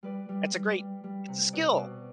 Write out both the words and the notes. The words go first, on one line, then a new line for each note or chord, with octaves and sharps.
That's a great it's a skill.
G3 B4 D5
G3
G3
G3
G3
C3
B2 D5 F#5
B2